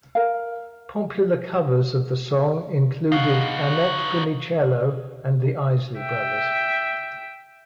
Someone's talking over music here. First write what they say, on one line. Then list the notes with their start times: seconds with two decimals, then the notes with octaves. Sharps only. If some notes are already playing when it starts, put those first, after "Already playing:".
Popular covers of the song included Annette Funicello, and The Isley Brothers.
0.15 A#4 F5
3.12 D#4 F#4 F5
5.99 E5 G5